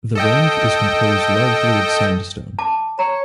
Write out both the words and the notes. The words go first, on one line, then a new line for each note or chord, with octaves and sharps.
The range is composed largely of sandstone.
A4 D#5 G5
A5 D6
C#5 A#5